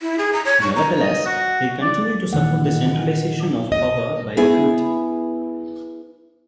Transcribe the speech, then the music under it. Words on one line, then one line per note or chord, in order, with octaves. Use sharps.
Nevertheless, he continued to support the centralization of power by the Committee.
E4
G#4
A#5
C#5
C#6
A#5
D#5
F#4
D5
A#2 D#3 E3 F#5
D#5
B3 E4 G#4